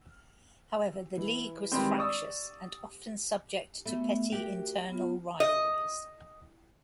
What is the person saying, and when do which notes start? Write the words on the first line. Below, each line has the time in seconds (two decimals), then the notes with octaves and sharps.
However, the League was fractious and often subject to petty internal rivalries.
1.18 E3
1.72 D#3 E3 G3 G#3 C4
1.98 D5 C#6 D#6 E6
3.86 A3 B3
4.32 F#4 G4 A#4
4.89 B3 F4
5.40 D#5